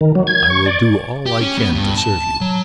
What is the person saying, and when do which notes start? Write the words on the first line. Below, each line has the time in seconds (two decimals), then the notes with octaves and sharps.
I will do all I can to serve you.
0.01 D#3
0.15 F#3
0.27 G#6
0.50 C#6
0.66 D5
1.26 G4
1.41 C#4
1.59 B3
1.74 G2
1.98 A5
2.41 F#3